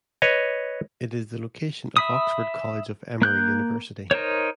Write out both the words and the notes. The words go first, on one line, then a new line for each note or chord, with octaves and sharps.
It is the location of Oxford College of Emory University.
B4 C#5 D#5
E5 B5 D#6
A#3 F#6 G6
D#4 A#4 C5 C#5